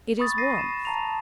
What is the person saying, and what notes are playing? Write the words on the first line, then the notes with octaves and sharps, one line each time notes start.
It is warmth.
B5 C#6 D#6 A6
A6 A#6 C7 D#7
E7
A5 A#5 F7